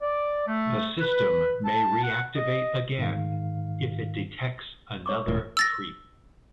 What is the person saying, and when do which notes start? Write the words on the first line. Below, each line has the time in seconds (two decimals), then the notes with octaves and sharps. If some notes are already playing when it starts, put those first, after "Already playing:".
The system may reactivate again if it detects another creep.
0.02 D5
0.48 A3
1.00 B4
1.65 A5
2.04 F#5
2.36 D#5
2.98 G#2 D#3 F5
5.06 C#5 C#6 D6
5.28 E1 A2
5.57 E6 A6 A#6